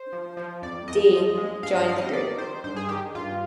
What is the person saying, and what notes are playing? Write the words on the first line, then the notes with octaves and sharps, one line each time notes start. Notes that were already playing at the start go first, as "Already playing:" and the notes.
D., joined the group.
Already playing: C5
F3
F3
F2 D5
F2 D#5
F3
G#3
G2 F5
D#5
G3 F5
D#5
D#3 D5
D#3 C5
G2 C5
G#4
D#3 G4
G2 F4